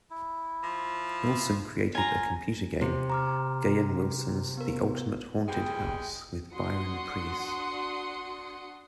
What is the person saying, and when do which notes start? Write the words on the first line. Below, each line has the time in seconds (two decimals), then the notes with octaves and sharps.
Wilson created a computer game, "Gahan Wilson's The Ultimate Haunted House", with Byron Preiss.
0.10 E4
0.63 F3
1.95 F4 G#5 A#5
2.81 C3
3.10 A#5 D6 F6
4.57 B3 A#4
5.48 G3 G#3 B3 G5
6.54 D4 F#4 F#5 C6 D#6 C#7